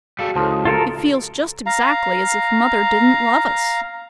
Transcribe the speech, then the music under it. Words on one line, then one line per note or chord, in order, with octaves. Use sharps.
'It feels just exactly as if mother didn't love us.'
G3 F#4 G#4 A4 F5
C#2 F3 E4 A4 C#5
D#6
F4 G4 A4 A#4
F5 A#5